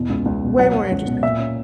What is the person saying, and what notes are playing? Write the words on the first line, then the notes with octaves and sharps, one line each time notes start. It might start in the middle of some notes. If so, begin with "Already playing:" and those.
way more interesting.
Already playing: E2 B2
C#2
C#2
B2
F#3 F#5
F#3
C#2
B2
A#2 E5
C#4